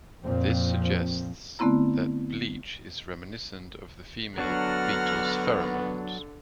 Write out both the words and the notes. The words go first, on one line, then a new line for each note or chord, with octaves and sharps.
This suggests that bleach is reminiscent of the female beetle's pheromones.
F2 A#2 F3 C4
D3 A3 B3 C4 E4 A#5
D3 F#3 B3 D4 F#4 F#5 A#5 F6